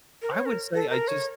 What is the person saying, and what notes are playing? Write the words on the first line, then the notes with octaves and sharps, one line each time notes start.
I would say I just
A#4
C#5
A#4
A4
A#4
C#5